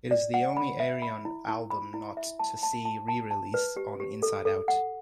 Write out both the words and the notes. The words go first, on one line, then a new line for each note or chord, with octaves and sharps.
It is the only Ayreon album not to see re-release on InsideOut.
D5
F#5
B5
E5
B5
E4
E4
B5
E4
E5
A5
A5
A5
A5
A5
B4
G4
G4
A4
A4
F#5